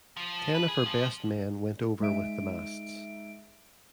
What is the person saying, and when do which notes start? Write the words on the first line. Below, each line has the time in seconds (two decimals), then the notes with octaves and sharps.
Ten of our best men went over with the masts.
0.17 F3
0.54 B4
0.68 G#4
0.86 F3
2.00 G#3 D#4 E5 D7